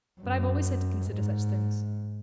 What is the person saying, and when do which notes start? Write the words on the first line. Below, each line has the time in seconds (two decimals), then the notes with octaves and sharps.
But I've always had to consider such things.
0.21 F#2
1.10 G#2